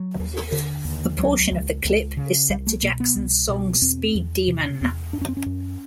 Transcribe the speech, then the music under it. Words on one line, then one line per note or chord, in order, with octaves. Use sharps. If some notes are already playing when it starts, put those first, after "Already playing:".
A portion of the clip is set to Jackson's song Speed Demon.
Already playing: F#3
D#2
D3
D#2
C#2 F#3
C#2
C#2
C#3
C2 G3
A3
B2 A#3
B3
C2
B2
E2 C4
E2
C3
E2
F#2 D4
C#4
C4
C#4
F#2